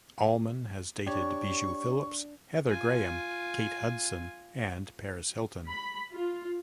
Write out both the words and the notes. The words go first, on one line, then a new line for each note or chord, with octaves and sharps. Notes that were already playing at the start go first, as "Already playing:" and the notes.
Allman has dated Bijou Phillips, Heather Graham, Kate Hudson, and Paris Hilton.
D4 G4 C#5 C#6
F4 G#5
B5
F4